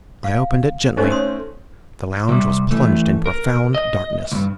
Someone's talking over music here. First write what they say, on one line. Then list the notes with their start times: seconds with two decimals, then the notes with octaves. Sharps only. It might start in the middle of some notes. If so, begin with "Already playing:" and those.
I opened it gently. The lounge was plunged in profound darkness.
0.24 F5
0.97 A3 C4 C#4 D#4 C5
1.10 C#5 C6 D#6
2.29 C3 G3
2.71 E3 A3
3.26 A#4
3.75 D#5
4.32 C#2 G2